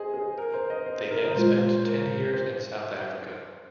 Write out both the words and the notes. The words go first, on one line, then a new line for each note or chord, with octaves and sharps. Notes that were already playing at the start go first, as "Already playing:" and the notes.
They then spent ten years in South Africa.
Already playing: G#4 C5 D#5
G#4
A#4
C5
D#5
C5
A#4
D#5
A#2 G#3 F4 C5
C5
A#4
C5